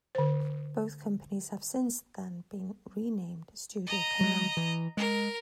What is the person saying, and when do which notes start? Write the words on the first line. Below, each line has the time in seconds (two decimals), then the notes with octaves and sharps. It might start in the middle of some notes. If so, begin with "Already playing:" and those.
Both companies have since then been renamed StudioCanal.
0.15 D3 C5
3.87 D#5 A#5
4.21 F#3 G#3
4.57 E3
4.97 G#3 A#4